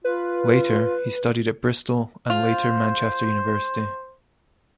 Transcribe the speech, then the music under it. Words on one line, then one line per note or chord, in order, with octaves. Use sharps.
Later, he studied at Bristol and later Manchester University.
F4 B4
F4 C5